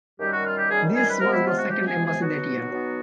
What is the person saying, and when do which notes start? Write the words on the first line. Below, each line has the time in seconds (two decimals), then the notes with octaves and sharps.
This was the second embassy that year.
0.19 F#2 D#3 G3 G4
0.32 F#4
0.45 F4
0.57 G4
0.70 F#2 D#3 G3 G#4
0.95 G#4
1.07 B4
1.19 C3 F3 G#3 B3 A#4
1.32 E4
1.45 F4
1.58 F#4
1.70 C3 F3 G#3 B3 G4
1.87 G#4
2.04 G#4
2.20 B2 F#3 B3 D#4 F#4
2.71 B2 F#3 B3 D#4